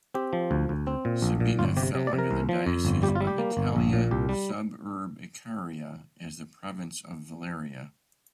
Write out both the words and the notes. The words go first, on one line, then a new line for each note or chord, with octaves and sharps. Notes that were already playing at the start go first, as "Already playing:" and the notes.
Sabina fell under the diocese of "Italia suburbicaria" as the province of "Valeria".
C4 G4
F3
D2
D2
C4
A#2
A#1
A#2
G1 F4
C3 G4
C3
D5
C3
A#4
C2
F3
F2
G1
G3 G4
F4
G3
G4
A#3
G1
A#1
A#2
C2 G4
G3